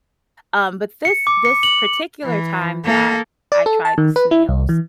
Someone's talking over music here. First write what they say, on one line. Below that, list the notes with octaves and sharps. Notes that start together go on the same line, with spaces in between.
Um, but this this particular time that I tried the snails,
C#7
D6
C#7
F#7
E3
A#3 A4
D5
A4
A5
D#3
B4
E4
C2
E3